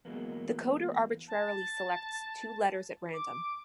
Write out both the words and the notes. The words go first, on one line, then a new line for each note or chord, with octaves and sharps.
The coder arbitrarily selects two letters at random.
E3 F#3 G#3 A#3 B3
A5
D6